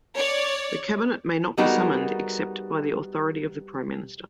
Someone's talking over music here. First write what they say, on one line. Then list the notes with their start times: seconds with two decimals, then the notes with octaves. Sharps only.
The Cabinet may not be summoned except by the authority of the Prime Minister.
0.16 C#5 D5
1.57 G3 B3 D#4 F#4 G#4 A#4